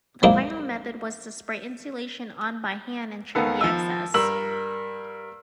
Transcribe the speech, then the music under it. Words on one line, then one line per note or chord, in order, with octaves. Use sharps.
The final method was to spray insulation on by hand and trim the excess.
G3 G#3 A#3 C4 D#4 E4
D#2 D#3 B3 A4
F3 E6
G2 A#4 E6 F#7